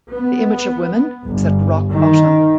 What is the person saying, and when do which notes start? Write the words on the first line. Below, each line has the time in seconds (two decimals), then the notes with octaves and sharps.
The image of women is at rock bottom.
0.11 B3
1.23 G1
1.89 D#3